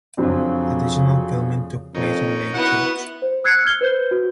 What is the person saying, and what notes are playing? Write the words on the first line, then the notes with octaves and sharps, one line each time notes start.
Additional filming took place in Lake George.
F2 C#3 F#3 C4 D4
F2 C#4 D#4 A#4
B3 E4 F#4 F#5
C5
E6 F#6 G#6 C7 C#7
F6 G#6 G7
B4 C5 G6
F#4